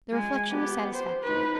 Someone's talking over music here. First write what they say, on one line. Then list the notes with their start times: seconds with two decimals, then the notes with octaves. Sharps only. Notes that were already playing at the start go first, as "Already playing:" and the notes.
The reflection was satisfactory.
0.12 G#3 G#5
0.50 B3 G4
0.93 C5
1.23 D#4 B4